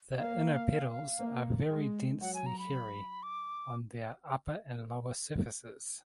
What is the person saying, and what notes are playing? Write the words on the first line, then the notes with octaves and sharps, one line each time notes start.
The inner petals are very densely hairy on their upper and lower surfaces.
A#3 F5
A#3
G#3
F#3 F#5
G#5
A#5
B5
D6